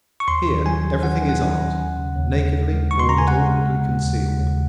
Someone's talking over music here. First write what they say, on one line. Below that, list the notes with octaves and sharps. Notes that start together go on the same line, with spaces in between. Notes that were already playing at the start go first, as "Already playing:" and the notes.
Here every thing is art, nakedly, or but awkwardly concealed.
C#6
D#2 C6
D#3
F#3 G#5
F#3
D#3 F#5
G#5
C#4
F#5
D#3
C#4
D#2
C#3
D#2
G#3
D#2
G#3
D#2 C#6
C6
C#3 A#5
G#5
G#3 F#5
G#3
G#3
D#2
D#2
D#2
D#2